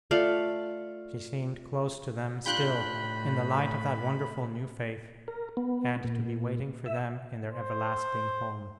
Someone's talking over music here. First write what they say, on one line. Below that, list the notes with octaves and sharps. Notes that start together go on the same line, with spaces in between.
She seemed close to them still in the light of that wonderful new Faith, and to be waiting for them in their everlasting home.
A3 F4 D5 F5
A2 D4 F4 G4 B5 F#6 G6
A#4
B3
A#2
E5
C5